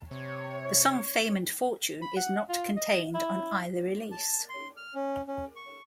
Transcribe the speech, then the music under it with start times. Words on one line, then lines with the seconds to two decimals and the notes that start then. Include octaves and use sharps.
The song "Fame and Fortune" is not contained on either release.
0.11 C3 C#5
2.02 B5
2.17 F#5
2.49 F4
2.77 D#5
3.15 E4
4.12 A5
4.49 C6
4.77 F6
4.95 C#4
5.28 C#4
5.56 C#6